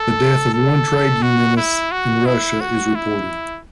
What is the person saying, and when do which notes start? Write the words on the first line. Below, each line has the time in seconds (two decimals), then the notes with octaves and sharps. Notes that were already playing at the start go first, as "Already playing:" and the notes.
The death of one trade unionist in Russia is reported.
Already playing: A4
0.54 A4
1.22 F#4
1.57 E4
1.91 F#4
2.26 E4
2.61 F#4
2.95 E4